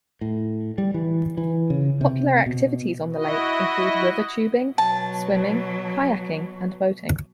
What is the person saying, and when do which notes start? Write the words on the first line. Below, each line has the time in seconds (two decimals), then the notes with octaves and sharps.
Popular activities on the lake include river tubing, swimming, kayaking and boating.
0.21 A2
0.78 G3
0.94 E3
1.37 E3
1.70 C#3
2.01 C3
2.46 B2
3.14 E4 F#4 D#5
4.78 B2 F#3 A5